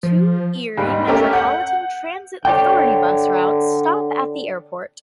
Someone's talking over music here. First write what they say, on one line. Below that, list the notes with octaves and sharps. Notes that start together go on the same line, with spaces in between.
Two Erie Metropolitan Transit Authority bus routes stop at the airport.
F3
D#2 G#2 G3
A3 C#4 G4 A4 A#4 D7
F#5 G6
D3 C#5 D5 G5